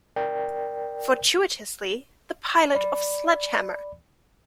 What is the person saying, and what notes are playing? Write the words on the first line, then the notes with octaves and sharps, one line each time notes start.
Fortuitously, the pilot of Sledge Hammer!
A#4 D5 G5
D5 B5